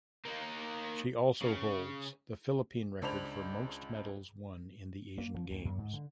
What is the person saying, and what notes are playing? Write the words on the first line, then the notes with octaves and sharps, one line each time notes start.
She also holds the Philippine record for most medals won in the Asian Games.
A#3 D#4
C#3
C#2 D4 C5 B5 F7
A#3
F3
D2
F#2
G#2
D3